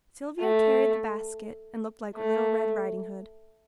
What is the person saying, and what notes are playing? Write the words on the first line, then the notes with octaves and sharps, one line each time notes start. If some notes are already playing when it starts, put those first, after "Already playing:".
Sylvia carried the basket, and looked like little Red Riding Hood.
A3
A3